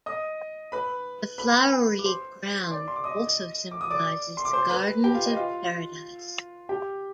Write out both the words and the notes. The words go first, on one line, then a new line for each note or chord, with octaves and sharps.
The flowery ground also symbolises the gardens of Paradise.
D#5 D#6
B4 B5
B4 B5
D6
C5 C6
C6
D5 D6
C6
D6
D#5 D#6
D6
D#6
D5 D6
C6
D6
C5 C6
B4 B5
G4 G5
F4 F5
D#5
F4 F5
G4 G5